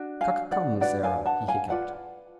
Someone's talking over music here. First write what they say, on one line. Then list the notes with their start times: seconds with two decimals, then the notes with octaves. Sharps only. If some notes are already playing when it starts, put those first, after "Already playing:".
"Cuc-come, Sarah," he hiccuped.
Already playing: D4 F#4
0.21 F5 G#5
0.52 D5 F#5
0.81 D4 F#4 B4 D5 F#5
1.03 F5 G#5
1.26 F#5 A5
1.48 F5 G#5
1.70 F4 B4 D5 F#5